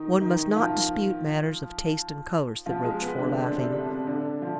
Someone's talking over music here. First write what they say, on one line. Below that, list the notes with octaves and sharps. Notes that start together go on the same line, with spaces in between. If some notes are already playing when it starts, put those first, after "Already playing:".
"One must not dispute matters of taste and colors," said Rochefort, laughing.
Already playing: D#3 D#4
D#3 D#4
F3 F4
F3 F4
G#3 G#4
B3 B4
D3 D4
C4
D4
C3 C4
D3 D4
D3 D4
F3 F4